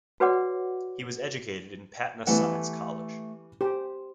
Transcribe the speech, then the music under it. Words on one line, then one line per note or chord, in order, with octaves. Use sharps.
He was educated in Patna Science College.
F#4 B4 C#5 D5 F#5 D6
E3 G3 A3 B3 F#5
G4 C5